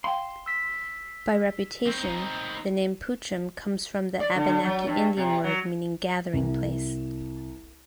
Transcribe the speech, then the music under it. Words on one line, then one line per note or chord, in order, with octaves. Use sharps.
By reputation, the name "Poocham" comes from an Abenaki Indian word meaning "gathering place".
F5 G5 C6
E6 B6
C4 D#4
D5
D3
D3
F#3
G2
C3
F#3
C2